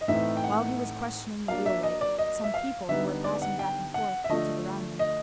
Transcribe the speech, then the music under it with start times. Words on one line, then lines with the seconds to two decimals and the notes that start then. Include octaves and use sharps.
While he was questioning the wheelwright, some people who were passing back and forth halted around them.
0.01 D#5
0.08 A2 E3 A3 C4 D#4 E5
0.37 G5
0.44 F#5
1.48 F#3 A#3 D4 F5
1.66 E5
1.83 D#5
2.01 D5
2.19 D#5
2.44 E5
2.54 F5
2.89 D3 G3 B3 D#4 E5
3.24 D5
3.42 F#5
3.59 G5
3.94 F#5
4.24 E5
4.29 D3 F3 A3 D#5
4.99 D#5